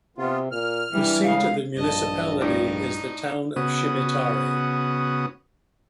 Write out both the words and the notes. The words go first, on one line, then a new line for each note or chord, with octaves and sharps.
The seat of the municipality is the town Schimatari.
C3 B3 F4
A#2 F6
E3 G3 D4
A2 C#3 G#3 F5
A#1 G2 D#5 A5
A2 D4 D#4
C#3 B3 F#4 D#6